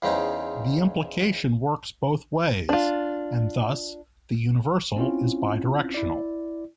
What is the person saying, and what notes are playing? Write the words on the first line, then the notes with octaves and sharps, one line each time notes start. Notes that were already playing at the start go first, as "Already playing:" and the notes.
The implication works both ways, and thus the universal is bidirectional.
E2 C#3 C4 C#4 D#4
D4 F4
C4 C#4 E4 F4
E4 D5